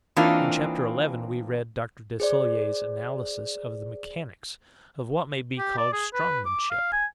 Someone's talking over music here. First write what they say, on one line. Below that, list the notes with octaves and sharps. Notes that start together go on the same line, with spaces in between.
In Chapter Eleven we read Dr. Desaguliers' analysis of the mechanics of what may be called strongmanship.
E3 A#3 C4 D4 D#4 F4
G#4 C5 D5
G4
D5
G#4
B4
D6
F5
G#5